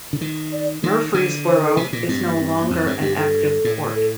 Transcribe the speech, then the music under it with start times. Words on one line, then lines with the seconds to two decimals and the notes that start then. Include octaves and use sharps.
Murfreesboro is no longer an active port.
0.13 D3
0.21 D#3
0.52 D5
0.84 D#3
1.14 D3
1.46 C5
1.56 A#4
1.66 A4
1.77 C3
1.93 A#2
2.08 G2 C4
2.24 A#3
2.40 C4
2.61 A#3
2.70 F2 C4
2.86 G2 C4
3.01 G2 G4
3.17 A4
3.65 A2
3.95 A4